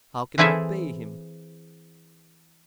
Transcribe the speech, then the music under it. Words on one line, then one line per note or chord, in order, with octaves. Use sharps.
How can I pay him?
E3 C4 E4 G#4 A4 E5